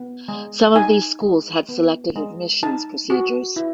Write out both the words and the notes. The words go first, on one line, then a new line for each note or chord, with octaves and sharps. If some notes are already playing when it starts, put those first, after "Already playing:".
Some of these schools had selective admissions procedures.
Already playing: B3
G#3
D#4 G#5
G#3
B3
G#3
D#4 A5
F#4
E4